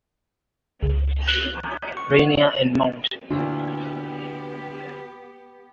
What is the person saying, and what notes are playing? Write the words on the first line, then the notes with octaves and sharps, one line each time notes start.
Rainier and Mt.
C#2
F#6
C#6
D2 A#2 E3 B3 D4 G4